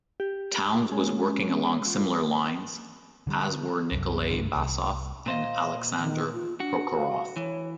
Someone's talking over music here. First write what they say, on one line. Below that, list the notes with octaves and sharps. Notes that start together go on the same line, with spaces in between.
Townes was working along similar lines, as were Nikolay Basov and Aleksandr Prokhorov.
G4
G#3 C#4
F4
D3 F#3 G3
C2 F#2
C2 G2 D3
C2
A#2 C5 D#5 F5
D#3
F4
D4 F#4
F5
E3 C#5